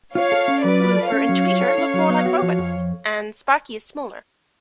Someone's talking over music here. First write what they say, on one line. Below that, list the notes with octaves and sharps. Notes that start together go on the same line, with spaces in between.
Woofer and Tweeter look more like robots and Sparky is smaller.
F4 C#5 F5
A4
C#4
F#3 B4 D5
F4
A4
C#4 C#5 F5
F#3
F4
A4
C#4
F#3
B3
F#4
F3
F2